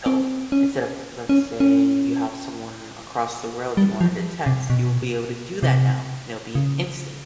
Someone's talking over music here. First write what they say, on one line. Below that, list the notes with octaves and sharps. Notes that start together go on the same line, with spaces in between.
So, instead of, let's say you have someone across the world you wanted to text, you'll be able to do that now and it'll be instant.
C4
C#4
C#4
C#4
G3
F3
C3
B2
C3
C#3